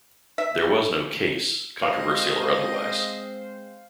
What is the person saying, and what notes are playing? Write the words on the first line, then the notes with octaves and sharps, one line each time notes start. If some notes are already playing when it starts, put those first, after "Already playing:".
There was no "case," controversial or otherwise.
E5
G#3 C4 C5 D#5 F5